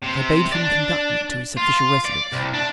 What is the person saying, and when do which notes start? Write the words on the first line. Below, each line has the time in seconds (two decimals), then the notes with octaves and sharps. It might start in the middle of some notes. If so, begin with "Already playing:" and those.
I bade him conduct me to his official residence.
0.02 C3
0.52 D4 D5
1.57 F4
2.05 D5
2.32 C2
2.54 D4